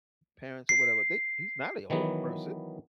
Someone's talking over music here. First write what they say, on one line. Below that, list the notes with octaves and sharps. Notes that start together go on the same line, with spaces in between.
parents or whatever, they He's not an old person,
C7
D#3 E3 F#3 B3